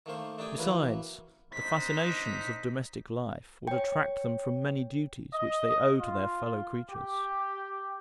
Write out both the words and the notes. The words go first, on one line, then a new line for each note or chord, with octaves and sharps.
Besides, the fascinations of domestic life would attract them from many duties which they owe to their fellow creatures.
D#3 A3 A#3 C5
A3 D4 D#4 G4 G5 G#5
E3 F#3 A#3 B4
D4 D#4 C5 B6
C#5 G5
D#5
F4
G4